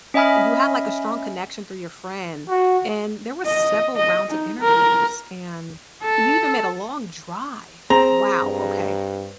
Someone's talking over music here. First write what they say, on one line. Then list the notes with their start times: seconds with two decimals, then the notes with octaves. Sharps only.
You had, like, a strong connection through your friend, and there were several rounds of interviews, and you even made a long drive! Wow, okay.
0.14 C#4 D#5 E5 G#5 B5 F6
2.49 F#4
3.45 D#5
3.96 D#5
4.31 D#4
4.61 A#4
6.03 A4
7.90 C4 G#4 A#5
8.43 G2